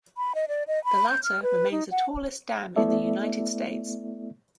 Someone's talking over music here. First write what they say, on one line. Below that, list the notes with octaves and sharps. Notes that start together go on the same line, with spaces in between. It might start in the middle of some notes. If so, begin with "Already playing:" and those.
The latter remains the tallest dam in the United States.
B5
D#5
D5
D#5
B5
G6
F6
B4
D#4
F#5
A3 B3 E4 A4 D5 E5